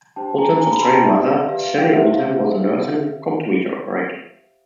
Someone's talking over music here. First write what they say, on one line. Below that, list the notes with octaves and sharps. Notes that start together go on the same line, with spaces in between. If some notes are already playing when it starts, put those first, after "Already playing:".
Oldham's Australian mother, Celia Oldham, was a nurse and comptometer operator.
D4 G4 C5 G5 A5
G#5 A#5
D4 G4 C5 G#5 A#5
A5 B5
A#5 C6
G5 A5
G4 B4 D5 E5
F5
G4 B4 D5 F5
F5
F5 G5
G4 C5 E5 F#5
F5